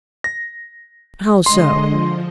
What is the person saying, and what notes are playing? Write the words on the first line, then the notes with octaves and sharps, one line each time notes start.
"How so?"
A#6
D3 G#3 D#5 C6
F3